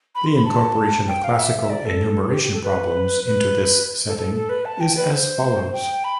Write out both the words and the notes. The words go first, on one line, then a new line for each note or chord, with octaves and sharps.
The incorporation of classical enumeration problems into this setting is as follows.
B5
C6
B5
A5
G5
F5
E5
E5
D5
A4
G4
G4
A4
B4
B4
A4
A4
A4
B4
A5
G5
B4
C5
G5
B5